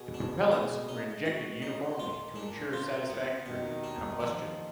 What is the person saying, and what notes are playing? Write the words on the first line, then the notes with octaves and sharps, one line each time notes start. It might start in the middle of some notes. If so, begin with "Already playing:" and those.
The propellants were injected uniformly to ensure satisfactory combustion.
Already playing: B2 G#4
D4
G#4
D#4
F#4
D#4
A#2 F4
D4
F4
B3
D#2 B2 D#3
D4
F3